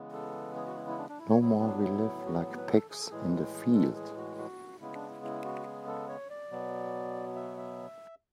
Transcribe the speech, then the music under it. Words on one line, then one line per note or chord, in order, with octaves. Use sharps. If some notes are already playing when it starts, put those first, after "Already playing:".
No more we live like pigs in the field.
Already playing: C#3 E3 G#3 B3
A4
G#4
F#4
E4
E4
D4
D4
E4
C#5
A2 F#3 B3 E4
D4
E4
F#4
B4
A4
G#4
A4
A2 E3 G#3 G#4
G#4
A4
G#4
F#4
F#4
C#3 G#3 B3 E4
D4
E4
E4
F#4
G#4
A4
C#5
D5
B2 F#3 B3
E5
E5